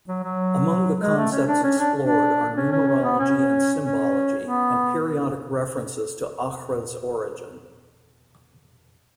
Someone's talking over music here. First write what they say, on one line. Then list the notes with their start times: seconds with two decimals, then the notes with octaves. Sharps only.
Among the concepts explored are numerology and symbology, and periodic references to Aughra's origin.
0.08 F#3
0.23 F#3
1.01 G#3
1.17 A3
1.32 C#4
1.48 D4
1.63 C#4
1.79 D4
2.04 D4
2.57 C#4
2.73 C#4
2.88 C#4
3.04 B3
3.19 C#4
3.81 C#4
4.43 B3